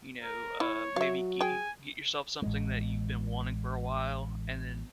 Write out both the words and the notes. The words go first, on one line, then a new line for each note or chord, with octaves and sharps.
you know, uh, maybe get y get yourself something that you've been wanting for a while and then,
A#4
E4 C#5
F#3 E5 F5
G#4 G5 G#5
A1 G#3